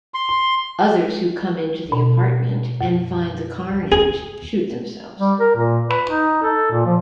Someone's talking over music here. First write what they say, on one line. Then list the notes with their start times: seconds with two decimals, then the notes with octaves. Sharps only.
Others who come into the apartment and find the carnage shoot themselves.
0.14 C6
1.92 B2
2.81 F#2
3.92 G#4
5.19 G3
5.40 A#4
5.55 A#2
5.89 B4
6.07 D#4
6.43 A4
6.71 A#2
6.86 F3